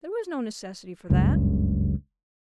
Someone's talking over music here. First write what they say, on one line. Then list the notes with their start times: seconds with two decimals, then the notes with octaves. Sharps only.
'There was no necessity for that.
1.10 F#1 C#2 G2